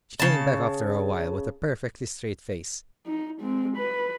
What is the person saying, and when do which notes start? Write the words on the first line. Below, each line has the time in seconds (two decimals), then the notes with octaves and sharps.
She came back after a while, with a perfectly straight face.
0.20 C#3 A5
3.06 D#4
3.40 G#3 C4
3.77 B4